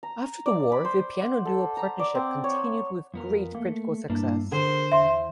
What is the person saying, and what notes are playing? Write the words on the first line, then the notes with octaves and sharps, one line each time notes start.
After the war the piano duo partnership continued with great critical success.
A#5
D5
B5
C5
F#5
A4
A#5
D5
C4
C#5
F2 B3 A#4
A3 A#3
G2 A#3 D4 E4
D3 G#4 A#4 C5
E2 E5 C6